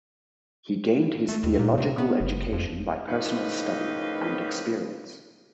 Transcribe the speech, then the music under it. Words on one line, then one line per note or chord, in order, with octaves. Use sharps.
He gained his theological education by personal study and experience.
A3
D#2
A#2
C3
B3
F#1
F2
A2 C#3 F3 A#3 D#4 B4